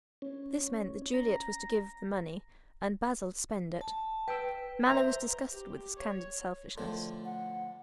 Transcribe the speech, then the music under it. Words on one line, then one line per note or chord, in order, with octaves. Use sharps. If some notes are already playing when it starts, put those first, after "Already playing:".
This meant that Juliet was to give the money and Basil to spend it. Mallow was disgusted with this candid selfishness.
C#4
A#5
A5
B4 G5 E6
C5 E5 A#5
G4
C#5
A2 D3 F3
F#5